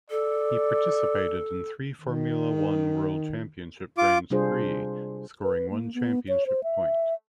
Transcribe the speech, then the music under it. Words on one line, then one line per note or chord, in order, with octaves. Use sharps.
He participated in three Formula One World Championship Grands Prix, scoring one championship point.
A4 D5
D#3
F4 D6
C3 G3 D4 F4 G#4 C5
B4
A#3
B3
C#5
C5
E5